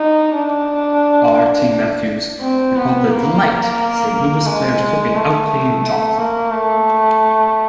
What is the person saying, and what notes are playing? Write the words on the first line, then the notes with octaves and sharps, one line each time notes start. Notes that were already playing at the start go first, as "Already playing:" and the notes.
Artie Matthews recalled the "delight" the Saint Louis players took in outplaying Joplin.
Already playing: D#4
D4
C4
B3
A#3
G#3
A3
A3
A#3
A3